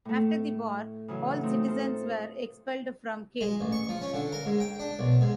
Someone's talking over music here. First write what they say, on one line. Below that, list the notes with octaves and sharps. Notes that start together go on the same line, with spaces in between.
After the war, all citizens were expelled from Kehl.
A2 A3
C#3 E3 F#3
A3 C4 D#4
F4 A4 C5
G#3
A1
C#6
F3
C#4
D3
A#4
G#2
G5
D4
B1
G#2